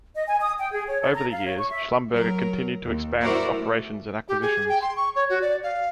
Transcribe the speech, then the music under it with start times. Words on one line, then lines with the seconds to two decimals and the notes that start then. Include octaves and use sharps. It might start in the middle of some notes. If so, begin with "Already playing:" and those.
Over the years, Schlumberger continued to expand its operations and acquisitions.
0.16 D#5
0.27 G#5
0.41 D#6
0.59 G5
0.71 G#4
0.87 C#5
1.01 A4
1.14 A#5
1.32 F5
1.46 C#5
1.59 C#6
1.70 E5
2.11 F#3 A#4
2.85 D#2
3.21 E4 F#4 A#4 C5 D5
3.54 A3
4.28 G4
4.41 G#4
4.69 G5
4.82 C6
4.97 C#6
5.16 C#5
5.29 F#4
5.41 D5
5.63 F5